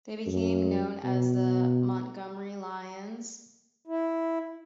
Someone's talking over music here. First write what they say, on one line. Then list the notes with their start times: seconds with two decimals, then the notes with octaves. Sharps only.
They became known as the Montgomery Lions.
0.27 F#2
1.04 B2
3.87 E4